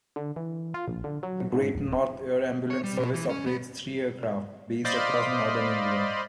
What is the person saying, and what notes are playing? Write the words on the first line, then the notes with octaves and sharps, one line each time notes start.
The Great North Air Ambulance Service operates three aircraft, based across northern England.
D3
E3
F4
A#1
D3
F#3
G#2
D1
C#5
G3
B2
E3
C#4
B3
C5 D5 D#5 F5 B5 C6